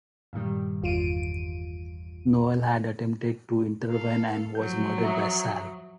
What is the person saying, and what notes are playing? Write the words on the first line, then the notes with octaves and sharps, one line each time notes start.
Noel had attempted to intervene and was murdered by Sal.
G2 A#2 D#3 G3
G1 E2 F4 D7 D#7
A4 A#4 F5
F3 F#3 G6
E5 A#5 D#6